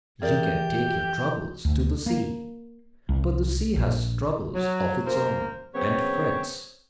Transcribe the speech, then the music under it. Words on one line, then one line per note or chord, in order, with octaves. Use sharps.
You can take your troubles to the sea; but the sea has troubles of its own, and frets.
E3 G4 G#4 A#4 D5 G6
D2
A#3
C2
A#1
F#3
F#2 A#3 A#4 C5
C#3 F#3 B3 C4 C5 C#5